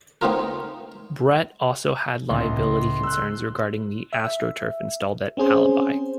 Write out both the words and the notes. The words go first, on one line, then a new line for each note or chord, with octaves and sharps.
Brett also had liability concerns regarding the astroturf installed at Albi.
A3 B3 C4 D#4 F4 A#4
C#2 A2 C6
E6 F#6
E5
C4 C#4 G#4 C5